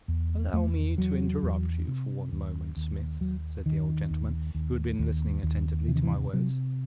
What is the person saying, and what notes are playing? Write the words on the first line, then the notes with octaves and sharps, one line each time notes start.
"Allow me to interrupt you for one moment, Smith," said the old gentleman, who had been listening attentively to my words.
E2
E2 A3
E2 F#3
E2
C3
D#2
D#2
D#2 F#3
D#2 D#3
D#2
D#2
D#2
D#2
C3 E3
D#3
E3
C3 F#3